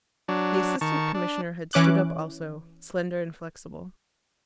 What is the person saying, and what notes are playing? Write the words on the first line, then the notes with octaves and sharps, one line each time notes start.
The Assistant Commissioner had stood up also, slender and flexible.
F#3 D4
D#3 A5 C#6
D4
E3 C#4 D6 F#6